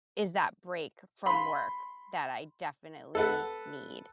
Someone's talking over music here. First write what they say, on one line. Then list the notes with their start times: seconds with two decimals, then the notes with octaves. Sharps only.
is that break from work that I definitely need.
1.26 B5 C6
3.15 A4 B4 F#5